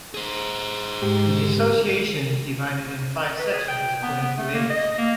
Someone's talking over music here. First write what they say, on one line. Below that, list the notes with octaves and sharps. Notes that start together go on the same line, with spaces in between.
The association is divided in five sections according to age.
G#4 C5
G#2 G4
B4
G#4
G5
B3
B3
A3
A#3
D#5
A#3